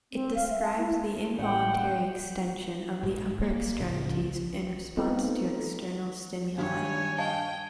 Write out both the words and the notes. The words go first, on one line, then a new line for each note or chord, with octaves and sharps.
It describes the involuntary extension of the upper extremities in response to external stimuli.
C4
F5
E5
A5
E4
A1 F#5 G5
A#1 G#2 G#3
A#3
C#2 A2 C#3
A3 B3 C4 D#4 F4
G2 D#3 C#5 G#5
D#5 F5 G5 A5